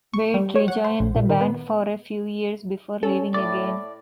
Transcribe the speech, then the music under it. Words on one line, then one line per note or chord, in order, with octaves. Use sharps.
Wade rejoined the band for a few years before leaving again.
C#6
G3
C#5
F#5
C5
A#1
A#2
D#3
B3
C#4 A4
A2 D5